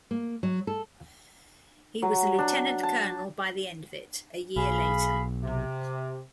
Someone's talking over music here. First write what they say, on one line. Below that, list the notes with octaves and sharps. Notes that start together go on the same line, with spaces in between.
He was a lieutenant colonel by the end of it, a year later.
A#3
F#3
A4
F#3
D4
A5
B1 G#4 F5 B5
C3